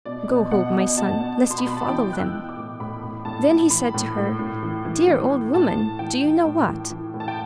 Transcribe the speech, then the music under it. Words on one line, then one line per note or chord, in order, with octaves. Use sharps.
Go home, my son, lest you follow them." Then he said to her: "Dear old woman, do you know what?
B2 D5
B2
B2 F#5
B2
B2 A5
B2
B2
C6
B5
B2
A5
E3 G5
E3 F#6
E6
E3
D6
A2
A2 B5
A2
A2 A5
A2
E3 B5
A2
A2
A2
E3
E3
E3
E3
A2 A5
A2
E3 G5
E3
A2
E3
E3
A2
A5
G5